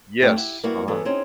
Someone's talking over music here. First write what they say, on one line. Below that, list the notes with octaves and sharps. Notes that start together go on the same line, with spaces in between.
Yes, uh-huh.
A3 C4 D4 F4 G4
E4 G4 F#5
G3 A#3 B3 E4 F#4
E3 F#3 B3 G#4 A4
C4 C#4 D#4 G#4